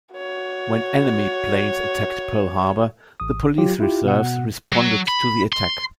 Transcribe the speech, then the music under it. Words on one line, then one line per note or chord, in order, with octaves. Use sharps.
When enemy planes attacked Pearl Harbor, the police reserves responded to the attack.
F#4 C#5
A1 D#6
F#3 F4 G4
E4 F4 G4
B2 F#5
F#3
B5
C6